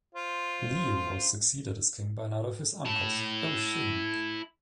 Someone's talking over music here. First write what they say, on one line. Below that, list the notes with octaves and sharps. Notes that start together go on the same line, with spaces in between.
Leo was succeeded as king by another of his uncles, Oshin.
F4 C5
E4 A5